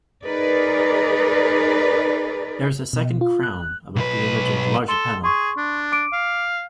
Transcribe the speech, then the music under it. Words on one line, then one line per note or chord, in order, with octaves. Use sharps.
There is a second crown above the image, on the larger panel.
D#4 G#4 A#4 B4 D5
B2
F4
F#6
B1 B4
A4 C6 G7
G#4 C6 C#6
D4
D6 D7
F5